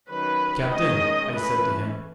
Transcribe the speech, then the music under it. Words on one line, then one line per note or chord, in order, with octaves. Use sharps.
"Captain!" I said to him.
D#3 F#3 C#4 B4
D#3 G#3 C#4 D#5
E3 A3 C#4 B4